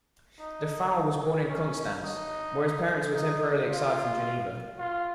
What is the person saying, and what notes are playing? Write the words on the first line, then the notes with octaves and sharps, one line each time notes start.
Dufour was born in Konstanz, where his parents were temporarily exiled from Geneva.
D#4
C#4
D#4
D#4
F4
F4